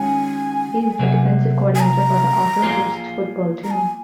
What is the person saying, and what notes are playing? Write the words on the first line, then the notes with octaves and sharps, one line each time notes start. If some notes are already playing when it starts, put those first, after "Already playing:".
He is the defensive coordinator for the Akron Zips football team.
Already playing: D#3 G#3 C#4 F#4 G#5
C3 F#3 A#3
G#5
A#5
A#3 F4 G#4 C5
A#5
G#5